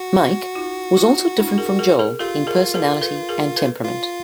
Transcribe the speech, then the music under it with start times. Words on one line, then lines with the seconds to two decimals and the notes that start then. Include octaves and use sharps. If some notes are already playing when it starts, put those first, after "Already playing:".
Mike was also different from Joel in personality and temperament.
Already playing: F#4
0.55 D#4 F4
0.96 D#4 F4
1.37 D4 E4
1.58 G#4 A#4
1.79 G#4 A#4
1.99 G#4 A#4
2.19 F4 G4 A4
2.47 G#4 A#4
2.74 G#4 A#4
3.01 A4 B4
3.29 G#4 A#4
3.56 A4 B4
3.84 F4